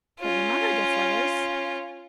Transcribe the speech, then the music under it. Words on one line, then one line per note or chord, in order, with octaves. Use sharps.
"But your mother gets letters?"
C#4 F4